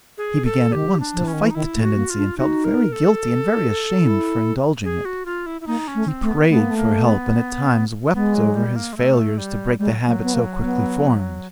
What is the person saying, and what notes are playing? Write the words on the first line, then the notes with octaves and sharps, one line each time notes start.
He began at once to fight the tendency, and felt very guilty and very ashamed for indulging it. He prayed for help and at times wept over his failures to break the habit so quickly formed.
G#4
A4
D#3 G4
D4
F3
E3 C#4
D#3
E3
D#4
D#3 E4
A3
F#4
A#3
F4
D4
D#4 F#4
A#4
A4
E4
G#4
F#4
F4
E4
E4
A#3 D#4
C#4
A3
C4
A3
B3
A3 B3
A#3
A3
A#3
B3
G#3 B3
F#3
G3
A#3
G#3
A3
G3
G3 G#3
F#3
F#3 A#3
B3
A#3
B3